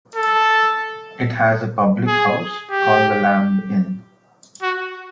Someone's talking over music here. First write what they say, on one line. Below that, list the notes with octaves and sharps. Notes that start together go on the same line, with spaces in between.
It has a public house called The Lamb Inn.
A4
G#4
G4
F#4